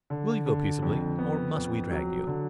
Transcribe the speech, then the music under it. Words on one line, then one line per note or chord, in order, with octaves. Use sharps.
"Will you go peaceably or must we drag you?"
D3
D3
F2
B3
F2
F#3
D3